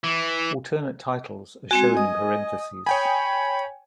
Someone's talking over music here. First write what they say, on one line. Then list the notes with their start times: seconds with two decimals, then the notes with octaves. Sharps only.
Alternate titles are shown in parentheses.
0.04 E3
1.71 G#3 C4 F#4 G#5
1.97 D#5 D#6
2.87 C#5 G5 G#5 B5